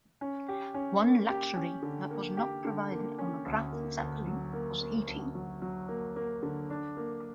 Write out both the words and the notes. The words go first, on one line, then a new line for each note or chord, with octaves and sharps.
One luxury that was not provided on the "Graf Zeppelin" was heating.
C#4
G4
C#4
A#3
G4
C#4
D3
A#3
G4
D3
A#3
C#4
D2
A#3
D2
F#3
A#3
A#3
D2
F#3
F#3
A#3
A#3
D3
D4
A#3